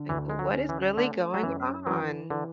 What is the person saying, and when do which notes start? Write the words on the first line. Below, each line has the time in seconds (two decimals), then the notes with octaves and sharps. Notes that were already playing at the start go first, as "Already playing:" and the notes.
Like, what is really going on?
Already playing: D3
0.09 D2 E3
0.30 G#3
0.39 F#3
0.53 C#4
0.69 E3
0.97 D3 A3
1.34 F#3
1.43 F#2 E3
1.87 E3 F#3
2.30 D3 E3